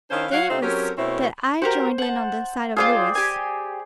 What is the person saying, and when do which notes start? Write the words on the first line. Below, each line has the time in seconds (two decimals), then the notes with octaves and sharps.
Then it was that I joined in on the side of Louis.
0.11 D#3 C#4 D4 E4 C5 F5
0.33 F#3 C#5 F5 F#5
0.50 C3 A3 C4 D#4 F4
0.63 F#3 C4 C#4 G4 A4 A#4
0.98 B2 A3 C4 C#4 E4
1.62 F#4 G4 A#4 C5
1.98 F#5 A5
2.77 F4 G#4 C5 D5 F5 G5
3.15 G4 G#5